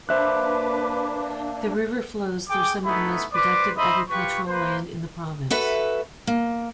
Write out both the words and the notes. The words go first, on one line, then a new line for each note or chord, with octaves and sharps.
The river flows through some of the most productive agricultural land in the province.
A#3 D4 B4 C5 E5 D6 F#6
G#4 G5 D6
A3 B3 D#4 E4 B5
B4 C5 D5 D6
D#4 C5 D#5 E5 B5
F4 G4 B4 C#6
A#3 B4 C5
F#4 A4 B4 E5
A#3